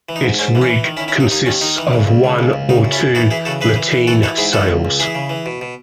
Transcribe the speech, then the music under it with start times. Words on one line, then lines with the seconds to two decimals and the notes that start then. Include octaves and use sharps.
Its rig consists of one or two lateen sails.
0.09 E3
0.16 D#4
0.23 G#2
0.39 G#2 C#4
0.55 E3
0.61 C#4
0.69 E3
0.85 D#3
0.97 C#4 E4
1.00 D#3
1.08 C#4 E4
1.16 D#2 D#4
1.31 D#2 D#4
1.46 D#3 C#4
1.61 D#3 D#4
1.78 E3
1.93 C#3
2.07 C#2
2.24 C#3
2.39 C#2
2.53 C#2
2.69 C#3 D#4
2.85 F#2
2.92 C#4 E4
3.00 F#2
3.15 E3 D#4 F#4
3.31 E3 E4 G#4
3.45 C#3 F#4 A4
3.61 E3 G#4 B4
3.76 E3
3.91 E3
4.07 E3 F#4 A4
4.22 E3 F#4 A4
4.37 G#2 E4 G#4
4.53 E3 F#4 A4
4.69 C#2
4.85 C#2
5.00 E3 E4 G#4
5.15 C#3
5.30 E3
5.46 B2
5.61 B2